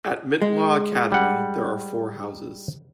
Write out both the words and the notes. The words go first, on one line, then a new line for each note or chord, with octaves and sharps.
At Mintlaw Academy there are four houses.
G#3
G3 F#5